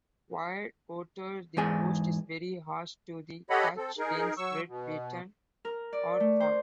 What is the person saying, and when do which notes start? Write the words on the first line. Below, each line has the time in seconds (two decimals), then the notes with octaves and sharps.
Wire-coated, the coat is very harsh to the touch, dense, red-wheaten or fawn.
1.57 E2 G#2 G#4 G#5
3.50 G4 A4 C#5 D#5 F#5 B5
3.77 C4 A4
3.98 D#4 G#4 A#4
4.37 F#3 C#6 E6
4.68 B2
5.65 A#4
5.93 D5
6.20 A3
6.40 C5